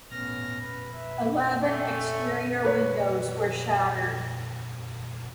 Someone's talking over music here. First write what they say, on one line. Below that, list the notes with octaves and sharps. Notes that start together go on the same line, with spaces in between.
Eleven exterior windows were shattered.
A2 B3 C#4 F6 A#6
B4
B4 E5
A3 C#4
B4 C#5